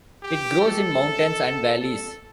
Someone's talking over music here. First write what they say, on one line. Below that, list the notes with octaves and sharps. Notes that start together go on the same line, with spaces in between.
It grows in mountains and valleys.
G4
A4
A4